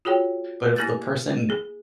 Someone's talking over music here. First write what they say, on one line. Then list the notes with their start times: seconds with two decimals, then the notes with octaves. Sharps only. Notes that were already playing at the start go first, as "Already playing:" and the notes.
but if the person,
0.05 F4 F#4 G#4 C#5 G5
0.76 A#3 E4 G4 F#6 G6 A6
1.50 G#4